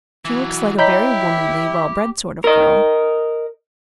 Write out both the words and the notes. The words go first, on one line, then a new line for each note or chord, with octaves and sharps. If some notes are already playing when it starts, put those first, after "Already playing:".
She looks like a very womanly, well-bred sort of girl.
E3 F#3
E4 G4 C#5 D#5 A#5 B5 G6 B6
A#4 D#5